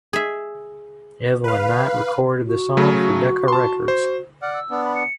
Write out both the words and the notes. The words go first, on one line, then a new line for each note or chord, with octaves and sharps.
Evelyn Knight recorded the song for Decca Records.
G#4 E5
B4 F5
F#4
C#3 F#3 A3
A5 C6
C5
D5 F#5 F6
E6
B3 D4
B5
C#7